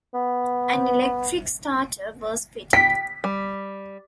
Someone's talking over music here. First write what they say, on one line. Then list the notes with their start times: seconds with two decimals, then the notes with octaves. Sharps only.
An electric starter was fitted.
0.14 B3
2.73 G5 B6
3.24 G3